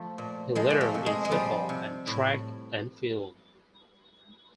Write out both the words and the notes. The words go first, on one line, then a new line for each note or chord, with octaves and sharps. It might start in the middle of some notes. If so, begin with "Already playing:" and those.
He lettered in football and track and field.
Already playing: F3 A3
A#2
F3 G#3
A#3
A3
C3
G#3
G#3
F3 G3
C3
A2